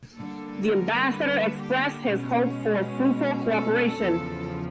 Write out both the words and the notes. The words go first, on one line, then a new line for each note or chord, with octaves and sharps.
The Ambassador expressed his hope for fruitful cooperation.
D3 G3 A#3 A4
A#4
B4
G4
B2 G#3 C#4
A4
E2 C#3 F3